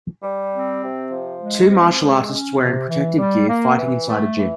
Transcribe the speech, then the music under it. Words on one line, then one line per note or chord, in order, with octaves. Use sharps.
Two martial artists wearing protective gear fighting inside a gym.
G3
C4
C3
F3
G#3
C4
G#3
C#4
C3
E3
G3
A#3
E3
A3
E3